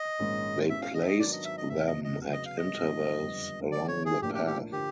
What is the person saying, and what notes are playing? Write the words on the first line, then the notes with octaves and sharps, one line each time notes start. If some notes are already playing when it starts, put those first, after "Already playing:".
They placed them at intervals along the path.
Already playing: D#5
A#1 G#2 D#3 G#3 C#4
B2 G#3 C#4 E4 E5
F5
D#5
E5
D#5
D#3 F#3 B3 D4 D5
D#5
E5
D#5
F1 E2 C3 E5
D#5
D#5
C#3 F#3 B3
D#5
F5
D#5
G#2 E3 G3 C4
F#1 F2 D3 G3 B3
D3 F#3 A3 D5
C#5
G#4
A#1 A2 F3 A#3 D4 G4
G4
G4
D3 F3 A#3 G4